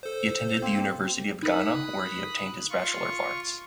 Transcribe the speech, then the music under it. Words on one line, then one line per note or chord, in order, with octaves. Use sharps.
He attended the University of Ghana where he obtained his Bachelor of Arts.
A4 C5
A#3 C4
D#4 A#4 B5 D#6 F#6
F4 C#6